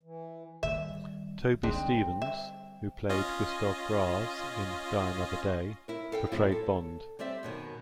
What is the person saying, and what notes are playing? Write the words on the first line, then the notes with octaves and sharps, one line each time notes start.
Toby Stephens, who played Gustav Graves in "Die Another Day", portrayed Bond.
E3
D#3 G3 E5
D3 G3 G#3 C4 D4 D#4
E5
C#4 F4 D#5
E4 A#4
A4 F5 G5
F#2 A2 F#3 C4 E4 F4
A4
G3 C4 D5 E5
F#2 B2 D#3